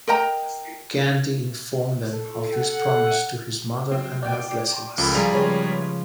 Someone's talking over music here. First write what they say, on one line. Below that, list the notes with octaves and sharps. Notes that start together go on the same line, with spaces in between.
Gandhi informed them of his promise to his mother and her blessings.
A#4 D#5 G5 A#5
A4
F#5
F#3 C4
D5 G5
C#2 F3 A4 A#4 B5
F3 G3 F4 G#4 A#5 F7
C#3 F3 G#3 B4 C#5 B5